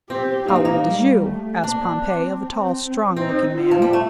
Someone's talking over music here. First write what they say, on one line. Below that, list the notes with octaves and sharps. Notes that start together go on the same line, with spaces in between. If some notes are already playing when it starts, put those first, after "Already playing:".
"How old is you?" asked Pompey of a tall, strong-looking man.
C4 G4
A#3 D#4
C4
A#3
G3
A3
A#3 D4
C4
C4
C4 D#4
F4
F3
G3
A3